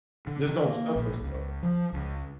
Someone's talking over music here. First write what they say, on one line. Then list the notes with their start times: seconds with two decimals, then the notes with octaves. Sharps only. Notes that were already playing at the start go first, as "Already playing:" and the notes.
just don't stuff yourself,
0.27 D3
0.47 D#3
0.65 A#3
0.96 A#1
1.22 C#2
1.63 F3
1.93 C#2